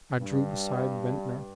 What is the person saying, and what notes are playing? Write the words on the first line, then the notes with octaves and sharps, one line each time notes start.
I drew beside Ventnor.
G2